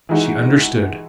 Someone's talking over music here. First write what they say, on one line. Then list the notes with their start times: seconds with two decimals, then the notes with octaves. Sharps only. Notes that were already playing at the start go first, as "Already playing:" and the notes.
She understood!
0.09 E3 G#3 D#4 F#4